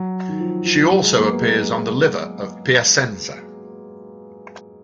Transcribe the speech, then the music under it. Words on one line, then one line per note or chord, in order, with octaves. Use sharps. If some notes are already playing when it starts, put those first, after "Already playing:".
She also appears on the Liver of Piacenza.
Already playing: F#3
D#3
F3
F3
F#3
G#3
A#3
B3
G#3